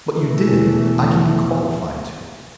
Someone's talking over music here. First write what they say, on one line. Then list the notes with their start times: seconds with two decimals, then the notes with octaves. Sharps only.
"But you did, I can be qualified to it."
0.12 E2 B2 E3 A3